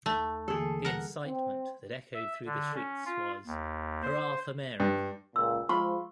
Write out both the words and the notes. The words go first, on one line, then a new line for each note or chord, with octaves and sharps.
The incitement that echoed through the streets was: Hurrah for Mary!
D#2 A3
D3 E3 A#3 G#4 A4
G3 A#4 F#5
C4
E5
D3
C#4
F4
D#2
C5
G2
C#2 A#2 E6
F3 G#3 F4 C5 B5 C#6